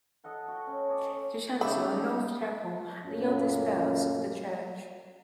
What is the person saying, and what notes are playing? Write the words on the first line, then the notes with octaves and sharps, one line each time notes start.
The Chancel and North Chapel are the oldest parts of the church.
A4 D#5 F#5 A5
F#4 G5
C#4
C#5 D#5 A5 D6
C#3 A3 D#4 E4 G4 B5 C#6
F#2 A#2 C#3 A3 A#3